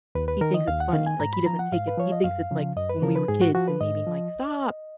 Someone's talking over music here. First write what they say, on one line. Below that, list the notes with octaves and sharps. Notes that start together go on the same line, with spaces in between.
he thinks it's funny. Like, he doesn't take it he thinks it's like when we were kids and me being like, "Stop."
D#2 B4
B4
D#3 A#4
D#5
D#2 F5
F#5
D#3 F5
G#5
G#2 A#5
B5
F3 A#5
F#5
G#2 F5
B4
F3 C#5
D#5
F#2 F5
C#3 F3
F#2 D#5
B4
C#3 F3 A#4
B4
G#2 G#4
F#4
F3 F#4
B4
G#2 D#5
F3